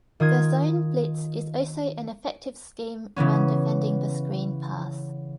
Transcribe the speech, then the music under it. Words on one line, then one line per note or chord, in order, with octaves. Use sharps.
The zone blitz is also an effective scheme when defending the screen pass.
D#3 F4 D#6 G#6
C#3 E3 B3 C#4